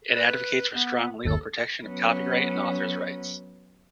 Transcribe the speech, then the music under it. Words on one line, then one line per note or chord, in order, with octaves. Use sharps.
It advocates for strong legal protection of copyright and authors' rights.
B4
B3
G1 D#2 A4
F#3 B3 C#4